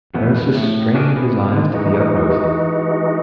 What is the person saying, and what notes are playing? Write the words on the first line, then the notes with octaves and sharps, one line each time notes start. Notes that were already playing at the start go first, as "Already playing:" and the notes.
Ursus strained his eyes to the utmost.
F2 B2 E3 A3 B3
A2
D4 F#4 G#4 A#4 C#5 D5
C3 B3
D3 D#3
E3 G#3 D#4 F#4